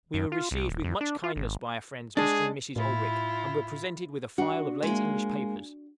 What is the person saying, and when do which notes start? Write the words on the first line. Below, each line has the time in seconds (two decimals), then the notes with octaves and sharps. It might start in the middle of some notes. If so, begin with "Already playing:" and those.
We were received with much kindness by our friends, Mr. and Mrs. Olrik, and were presented with a file of late English papers.
0.14 F#2
0.32 F4
0.51 C2
0.69 D#1
0.84 F2
1.01 D4
1.24 F4
1.36 G#1
2.17 G#3 D4 G#4
2.76 A2 E4 F4
4.38 D4 F#4
4.83 G#3 A#3